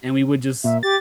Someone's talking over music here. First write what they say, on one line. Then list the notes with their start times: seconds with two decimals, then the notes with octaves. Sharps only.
and we would just
0.64 A#2 E5
0.83 G4 A6